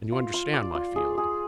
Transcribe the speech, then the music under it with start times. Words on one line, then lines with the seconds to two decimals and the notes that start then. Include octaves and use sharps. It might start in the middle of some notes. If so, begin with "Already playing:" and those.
"And you understand my feeling?"
0.12 F4
0.34 F4
0.53 D5
0.75 F4
0.96 G#4
1.18 G#4